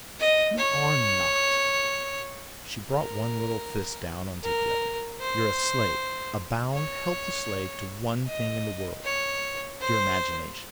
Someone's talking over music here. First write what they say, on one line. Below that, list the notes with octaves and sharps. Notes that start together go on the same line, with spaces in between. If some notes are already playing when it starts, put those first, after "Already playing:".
"You are not!" She brought one little fist down onto the other. "You're a slave, a bound helpless slave to one thing in the world, your imagination."
D#5
C#5
A#4
A#4
C5
C#5
D#5
C#5
C5